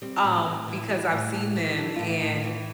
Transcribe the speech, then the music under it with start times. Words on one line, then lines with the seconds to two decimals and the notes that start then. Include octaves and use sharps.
um, because I've seen them, and
0.02 G3 C4
0.24 A2
0.46 A2
0.68 E3
0.90 G3
1.12 A2
1.34 A2
1.56 E3
1.77 G3 D4
1.96 A2 F4
2.07 E4
2.22 A2
2.36 F4
2.44 E3